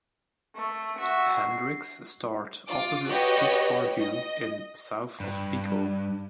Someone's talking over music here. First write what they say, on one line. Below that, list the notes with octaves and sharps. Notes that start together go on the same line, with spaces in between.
Hendricks starred opposite Kip Pardue in "South of Pico".
A3
F#4 E5
C7
F4 D6
F#4 G4 B4 C#5 D#5
D#5
G2